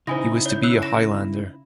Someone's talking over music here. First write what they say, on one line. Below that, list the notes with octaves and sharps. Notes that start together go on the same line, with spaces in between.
He was to be a Highlander.
C#3 D#4 E4 C5 G#5 A#6
C#5 G6
E6 F#6 C7
A#6 E7